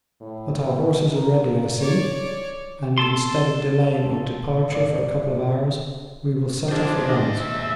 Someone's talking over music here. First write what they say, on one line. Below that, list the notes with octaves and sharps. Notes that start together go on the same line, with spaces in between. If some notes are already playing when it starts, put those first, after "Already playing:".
But our horses are ready, I see; and, instead of delaying our departure for a couple of hours, we will set off at once.
A2
B2
A#4
C#5 D5
A4 A5 C6
G#2 D5
D4 F4 G#4 C5 D#5
D#2 D#5
E5